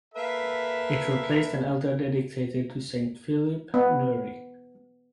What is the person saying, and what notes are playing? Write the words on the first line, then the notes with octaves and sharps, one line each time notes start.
It replaced an altar dedicated to St Phillip Neri.
A#3 A4 B4 E5
B3